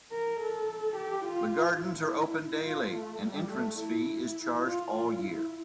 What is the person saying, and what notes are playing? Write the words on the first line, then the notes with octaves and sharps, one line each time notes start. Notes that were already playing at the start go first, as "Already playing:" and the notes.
The gardens are open daily; an entrance fee is charged all year.
A#4
A4
G4
F4
E4
F4
A3
G3
A3
E4
E4
F4
F4
E4